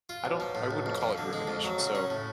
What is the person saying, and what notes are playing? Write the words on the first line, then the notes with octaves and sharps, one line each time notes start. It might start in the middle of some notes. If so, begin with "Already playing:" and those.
I don't I wouldn't call it rumination. So,
F4
B1
F3
A2
B1
F2
F3
D3
G#3
F2
F#3
C#3
C#4
A2